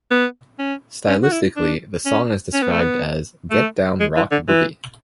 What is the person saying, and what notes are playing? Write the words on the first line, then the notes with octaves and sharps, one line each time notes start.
Stylistically, the song is described as "get-down rock boogie".
B3
C#4
C#4
F#4
E4
D4
C#4
C#4
B3
A3
B3
A3
G#3
E3
D3
E3